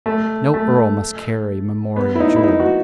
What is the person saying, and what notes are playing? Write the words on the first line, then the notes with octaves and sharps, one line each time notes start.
No earl must carry memorial jewel.
A3
A3
B3
E4
D#4
E4
D#4
F#4